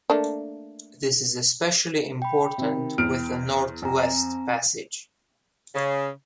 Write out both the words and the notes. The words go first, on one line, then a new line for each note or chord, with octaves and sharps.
This is especially important with the Northwest Passage.
A3 A#3 D4
G5 B5
C3 D#3
E2 F6 D7
F2 C4 G#5 A#5
C#3